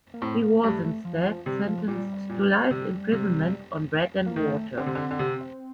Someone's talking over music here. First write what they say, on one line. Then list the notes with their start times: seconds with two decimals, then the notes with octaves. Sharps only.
He was instead, sentenced to life imprisonment on bread and water.
0.14 A#3
0.22 A2 C4
0.43 A#3
0.63 G2 A3
0.85 A3
1.05 F3
1.26 F3
1.46 C3 G3
1.67 F3
1.88 A#2 G3
2.29 A#2
2.71 C3
3.12 C3
4.26 A#3
4.36 D#3 A3
4.78 D3 C4
4.86 C3
4.95 D3
5.11 D3
5.19 C3